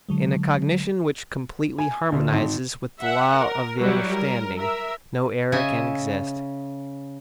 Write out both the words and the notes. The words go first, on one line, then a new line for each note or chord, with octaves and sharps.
In a cognition which completely harmonizes with the laws of the understanding, no error can exist.
D3 F#3 G#3
G#5
D2
G#1
E5 F#5
A#4
F#3 G3 E4 F#4
A#4
A#4 E5
C#3 D#5 E5 G#5